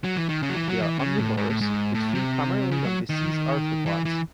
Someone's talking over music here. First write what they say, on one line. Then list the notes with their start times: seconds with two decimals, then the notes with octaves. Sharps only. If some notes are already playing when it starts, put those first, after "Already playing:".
They are omnivorous, but feed primarily on deceased arthropods.
0.04 F#3
0.17 E3
0.29 D#3
0.43 C#3
0.49 F#3
0.55 E3
0.68 F#3
0.81 E3
0.99 C#3
1.18 A2
1.37 G#2
1.50 A2
1.61 G#2
1.94 A2
2.15 C3
2.71 C#3
2.85 F#3
3.09 D#3
3.86 E3
4.05 E3